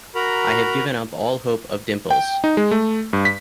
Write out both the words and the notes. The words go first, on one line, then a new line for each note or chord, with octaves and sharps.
I have given up all hope of dimples.
F#4 A#4 A#5 B5
G5
D#4
G#3
A3
G2
B6